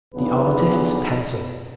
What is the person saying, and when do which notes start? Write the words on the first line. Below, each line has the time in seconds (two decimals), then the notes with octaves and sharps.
The artist's pencil!
0.15 B1 E2 C#3 B3 D4 B4